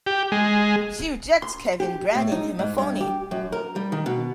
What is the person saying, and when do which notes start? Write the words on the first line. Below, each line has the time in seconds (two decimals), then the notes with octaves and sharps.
She rejects Kevin, branding him a phoney.
0.07 G4
0.32 G#3
1.42 C6
1.80 G4
2.15 A2
2.32 D#4
2.59 G#2
2.78 G2
3.01 G4
3.31 F#2
3.52 A#4
3.76 G3
3.92 D#3
4.06 B2